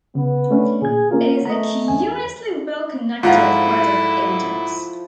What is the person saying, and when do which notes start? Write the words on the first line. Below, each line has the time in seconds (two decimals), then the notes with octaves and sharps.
It is a curiously well-connected thread of evidence.
0.15 C#3 B3
0.51 A3 C#4 D4
0.82 A#2 G#4 G#6
1.11 A#3 C#4 F4 A#4
1.45 A3 D#5 A#5
1.88 E2 G#5
3.23 G#2 F3 E4 F4 A4 F#5 A5 A#5